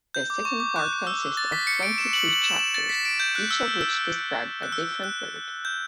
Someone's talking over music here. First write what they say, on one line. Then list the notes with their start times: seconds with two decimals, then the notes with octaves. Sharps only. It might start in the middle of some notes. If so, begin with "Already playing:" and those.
The second part conists of twenty-three chapters, each of which describe a different bird.
0.14 G6
0.30 D6
0.45 C#6
0.60 D6
0.76 F#6
1.07 E6
1.37 A6
1.52 B6
1.67 C#7
1.83 D7
1.98 E7
2.13 F#7
2.29 F#7
2.44 E7
2.59 E7
2.74 A6
2.89 B6
3.05 D7
3.20 G6
3.35 F#6
3.51 E6
3.81 E6
4.63 F#6
4.72 E6
5.04 F#6
5.65 G6